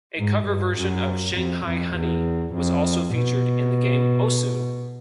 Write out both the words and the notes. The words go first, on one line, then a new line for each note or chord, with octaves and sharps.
A cover version of "Shanghai Honey" was also featured in the game Osu!
G#2
G2
F#2
F2
F2
E2
F2
B2